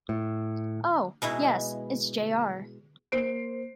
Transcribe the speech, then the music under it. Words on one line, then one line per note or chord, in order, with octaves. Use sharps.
Oh, yes, it's J. R.
A2
B2 G#3 E4
A#3 C5 C7 D7